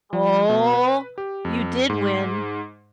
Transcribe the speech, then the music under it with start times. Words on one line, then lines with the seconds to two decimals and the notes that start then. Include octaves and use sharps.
Oh! You did win.
0.13 F3
0.50 B2
0.73 B4
1.18 G4
1.45 F2
1.90 G#2